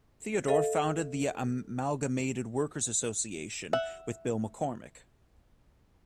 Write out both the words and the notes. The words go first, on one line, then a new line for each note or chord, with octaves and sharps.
Theodore founded the Amalgamated Workers' Association with Bill McCormack.
A4 D#5 F5
E5 F#5